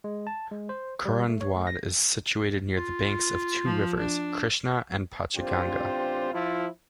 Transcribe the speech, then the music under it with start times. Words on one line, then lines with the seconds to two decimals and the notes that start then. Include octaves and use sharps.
Kurundwad is situated near the banks of two rivers, Krishna and Panchaganga.
0.04 G#3
0.27 A5
0.52 G#3
0.69 C5
1.05 G3
1.29 A3
1.41 C#5
1.56 A3
1.67 A#6
2.77 F4
3.65 F3
3.97 D4
5.36 A1 C4 D4 F4 G4 C5
6.33 F3 E4 F4